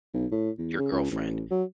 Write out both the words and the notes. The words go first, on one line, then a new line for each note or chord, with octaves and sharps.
your girlfriend,
B1
A2
E2
C#3
C#2
A1
F#3